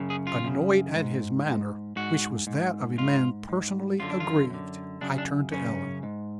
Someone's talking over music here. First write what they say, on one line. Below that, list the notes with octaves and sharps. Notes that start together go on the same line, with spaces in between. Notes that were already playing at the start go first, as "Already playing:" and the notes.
Annoyed at his manner, which was that of a man personally aggrieved, I turned to Ellen.
Already playing: F#2 C#3
G#4
F4
F#2 C#3
G#2
G#2
G#2 F#4
G#2
G#2 F4
G#2
F#2 D3 F4
D4
F4
F#2 D3
F#2 C#3 D4
D4
F#2 C#3 C#4
G#2